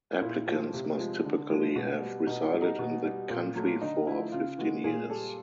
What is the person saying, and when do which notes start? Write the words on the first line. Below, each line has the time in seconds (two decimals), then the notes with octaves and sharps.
Applicants must typically have resided in the country for fifteen years.
0.21 A#2 E4
0.47 F3 A3
0.74 C3
0.98 F3 G#3
1.25 D3
1.50 F3 G#3
1.76 B2
2.01 G3
2.27 B2 D#4
2.45 E4
2.53 G3
2.62 D#4
2.79 B2
3.05 G3
3.30 A#2
3.55 F#3 A3
3.81 D3 D#4
4.07 F3 A3 E4
4.32 C#3 F4
4.58 E3 G#3 F#4
4.84 A#2 G#4
5.09 G3 A4